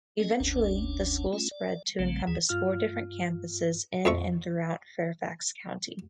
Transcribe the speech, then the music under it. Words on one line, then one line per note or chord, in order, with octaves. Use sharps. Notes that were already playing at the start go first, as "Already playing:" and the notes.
Eventually the school spread to encompass four different campuses in and throughout Fairfax county.
C#4 D#5 G#5
F#1 D2 C#4 D4
A3 C#4 F4
D5
A#1 C#3 F#3 G3 A3 C4
D#2 E3 G#4
G2 F4 F6
F2 F3 E5 C#6